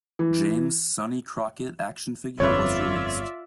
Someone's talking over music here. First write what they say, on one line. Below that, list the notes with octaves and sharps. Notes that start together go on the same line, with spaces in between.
James "Sonny" Crockett action figure was released.
E3
G1 F2 F4 B4 C#5 D5 E5